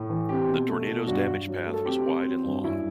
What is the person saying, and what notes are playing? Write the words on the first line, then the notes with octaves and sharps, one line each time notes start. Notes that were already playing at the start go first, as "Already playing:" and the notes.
The tornado's damage path was wide and long.
Already playing: A2
E3
C4 G4
B2
A3
B2
G2 F#4
G2
F#3
A3
A4
C4 G4
C4
F#3
G2
F#2 E4